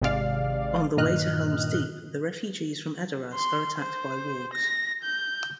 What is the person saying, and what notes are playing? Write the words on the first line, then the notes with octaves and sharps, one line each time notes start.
On the way to Helm's Deep, the refugees from Edoras are attacked by Wargs.
G#1 C3 G#3 D5 F5
G2 A#2 D#3 D#5 F6 F#6
C6
C5
A#6
G6